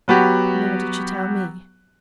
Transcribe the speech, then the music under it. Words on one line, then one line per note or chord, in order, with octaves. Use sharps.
"Nor did she tell me."
F#3 B3 F#4 G4